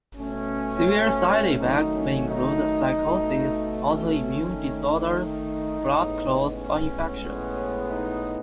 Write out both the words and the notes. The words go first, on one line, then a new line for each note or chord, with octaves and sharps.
Severe side effects may include psychosis, autoimmune disorders, blood clots, or infections.
B2 A3 C#4
D#3 F#3 A3 D#4
C#4
D#4
B2 A3
C#4
D#3 A3
D#4
A2 G#3 B3
C#4
A2 G#3 B3
D#4